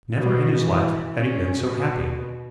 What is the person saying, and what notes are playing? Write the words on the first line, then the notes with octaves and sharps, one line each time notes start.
Never in his life had he been so happy.
B2
E3
C#4
B2